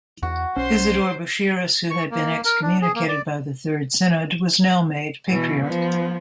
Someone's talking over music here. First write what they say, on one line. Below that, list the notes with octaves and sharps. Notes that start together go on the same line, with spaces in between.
Isidore Buchiras, who had been excommunicated by the third synod, was now made patriarch.
E2 F#4
B1 C#4 C5 C6
C#6
A#3
A#4
D4
G#4
A#3
D5
B2 E3
F3 B3